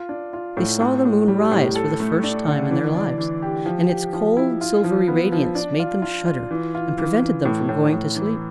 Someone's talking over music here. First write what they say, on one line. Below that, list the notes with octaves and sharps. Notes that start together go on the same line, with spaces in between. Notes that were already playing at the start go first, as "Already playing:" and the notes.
They saw the moon rise for the first time in their lives, and its cold, silvery radiance made them shudder and prevented them from going to sleep.
Already playing: F4
D4
F4
A2
A2
A2
G3
A2
A4
A3
D4
D3
E3
D4
E3
G4
F3
G4
F3
E4
F4
F3
B3
F3
D4
F4
F4
F4
E3
F4
E3
E3
A2
A2
A2
E3